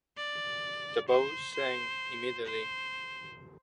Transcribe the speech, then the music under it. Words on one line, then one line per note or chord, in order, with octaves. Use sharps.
The bow sank immediately.
D5
C5
C5
C5